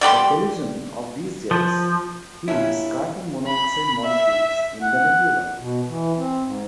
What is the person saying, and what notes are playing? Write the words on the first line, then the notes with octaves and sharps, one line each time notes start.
The collision of these jets heats carbon monoxide molecules in the nebula.
G3 G4 B5 C6
F3
G2 A#2 C#4 E4
B5
E5
F#5
B2
E3
C4
G#2